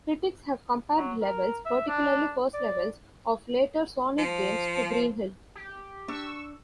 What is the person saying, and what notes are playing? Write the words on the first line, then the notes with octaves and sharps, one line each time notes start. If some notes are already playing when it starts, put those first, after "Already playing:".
Critics have compared levels, particularly first levels, of later "Sonic" games to Green Hill.
F#3
A#4
E5
D4
D5
F3
G4
D4 C#6 E6